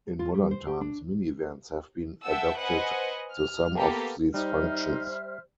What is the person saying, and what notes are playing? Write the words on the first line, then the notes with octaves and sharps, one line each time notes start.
In modern times minivans have been adapted to some of these functions.
F4
G3
C5
G4
D4
E5 F#5 G5 A5 E6
B4 C5 D#5 F#5 G#5
F6
A#3 B3 G4 A4 A#4
G3 D#4 C5 E5 F6